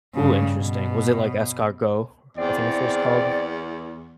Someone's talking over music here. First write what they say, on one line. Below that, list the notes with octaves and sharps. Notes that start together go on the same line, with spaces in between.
Ooh, interesting. Was it like escargot, I think it's what it's called?
G2 C#3
B2
E2 C4 D5